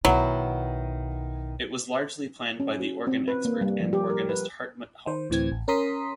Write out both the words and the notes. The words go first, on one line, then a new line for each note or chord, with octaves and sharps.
It was largely planned by the organ expert and organist Hartmut Haupt.
B1 D#3 F#3 B3 E4
C#4
F#4
C4
B4
A#3
G3
F3
G4
A#4
B4
D#3 C5
D2 A2 E3 C4 G#6
A1
C#4 A#4 A#5 C6 D#6 B6